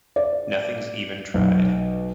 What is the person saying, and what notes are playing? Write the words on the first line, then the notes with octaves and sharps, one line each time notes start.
Nothing's even tried.
D5
B1